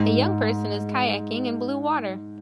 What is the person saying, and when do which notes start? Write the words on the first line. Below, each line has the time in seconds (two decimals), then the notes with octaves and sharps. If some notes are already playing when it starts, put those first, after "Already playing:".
A young person is kayaking in blue water.
Already playing: G#2